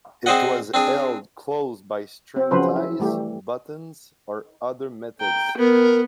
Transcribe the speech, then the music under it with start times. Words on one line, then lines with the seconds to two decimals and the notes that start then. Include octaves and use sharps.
It was held closed by string ties, buttons, or other methods.
0.26 C4 G#4 C5 D5 D#5 F#5
0.74 C4 D4 G#4
2.36 C4
2.51 C#3 F3 F#3 B4 C5
2.76 E4
3.00 E3 G3 A3 G4
5.20 G5 A#5
5.57 B3 A#4